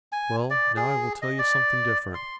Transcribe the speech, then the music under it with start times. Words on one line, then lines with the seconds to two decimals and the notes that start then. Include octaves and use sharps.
Well, now I will tell you something different.
0.12 G#5
0.50 D5
0.77 G#4
1.22 D#5
1.39 D5
2.14 C6